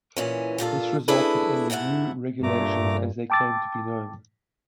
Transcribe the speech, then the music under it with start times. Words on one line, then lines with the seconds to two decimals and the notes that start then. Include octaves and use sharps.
This resulted in the "U-Regulations" as they came to be known.
0.16 A#2 E3 C#4
0.58 G2 A#2 F4 A4
1.08 A3 D4 E4 G#4 A4 B4
1.70 G#2 C3 A3 E4 F#5
2.43 G2 A#2 A3 A#5 D6
3.30 G5 A5 D6 E6 A6